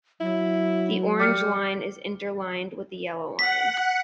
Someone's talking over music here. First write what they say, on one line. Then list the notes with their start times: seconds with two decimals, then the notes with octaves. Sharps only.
The Orange Line is interlined with the Yellow Line.
0.21 F#3 E4
1.20 G3 D6 F6 C#7
3.39 F#5 B6